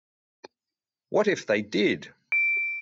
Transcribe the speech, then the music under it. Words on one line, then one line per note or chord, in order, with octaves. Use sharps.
What if they did!
D7